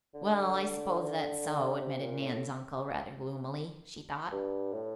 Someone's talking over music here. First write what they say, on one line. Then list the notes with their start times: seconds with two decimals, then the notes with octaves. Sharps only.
"Well, I s'pose that's so," admitted Nan's uncle, rather gloomily, she thought.
0.14 D3
1.81 C3
2.01 A#2
2.22 A2
4.32 G2
4.73 A2